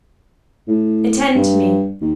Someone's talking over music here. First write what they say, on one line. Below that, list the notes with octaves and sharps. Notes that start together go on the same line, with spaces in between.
"Attend to me."
A2
G2
D#2